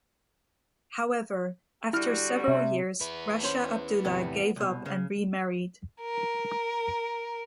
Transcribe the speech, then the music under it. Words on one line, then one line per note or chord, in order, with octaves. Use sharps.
However, after several years Raja Abdullah gave up and remarried.
D3 G3 E4 F#4 F6
C3 E5
B3 E4
C#4 C5
E2 A2 C3
C2 B2
C#3
A#4